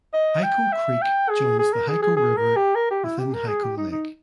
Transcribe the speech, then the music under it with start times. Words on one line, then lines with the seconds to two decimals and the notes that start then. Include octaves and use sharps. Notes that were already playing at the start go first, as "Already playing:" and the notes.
Hyco Creek joins the Hyco River within Hyco Lake.
0.13 D#5
0.43 G5
0.72 E5
1.02 G5
1.29 G#4
1.59 G#4
1.73 A#4
1.88 G#4
2.02 G#4
2.17 G#4
2.37 A#4
2.56 G4
2.75 A#4
2.90 G4
3.04 E4
3.19 G4
3.34 A#4
3.47 G#4
3.63 G4
3.77 D#4
3.91 D#4